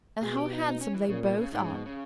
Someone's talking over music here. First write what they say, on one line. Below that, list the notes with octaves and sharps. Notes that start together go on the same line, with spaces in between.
"And how handsome they both are!"
B2 G#4
G4
D#4
D#4
C#4
E3
A#2 C#3
B2
C#3
G#2 D#3
C#3
B2
C#3